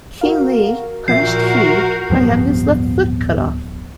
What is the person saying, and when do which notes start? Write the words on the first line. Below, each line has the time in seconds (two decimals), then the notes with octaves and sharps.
King Li punished He by having his left foot cut off.
0.21 F#4 A#4 F5
1.08 A#2 F3 F#4 A#4 E5 G6 C7
2.10 D1 G2 F3 B3